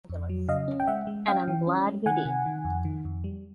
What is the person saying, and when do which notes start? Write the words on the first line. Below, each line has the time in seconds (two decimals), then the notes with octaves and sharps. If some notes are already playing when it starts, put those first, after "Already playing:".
And I’m glad we did.
0.10 F2
0.29 F#3
0.48 C#3 D#5 F5
0.68 C#4
0.80 G5
0.87 G#3 E5 F#5
1.07 G#3
1.28 C#4 F5 G5
1.48 E3
1.67 C#4
1.87 G#3
2.06 D#3 F#5 G#5
2.25 C3
2.46 D#3
2.65 F2
2.85 D#3
3.05 F2
3.24 G3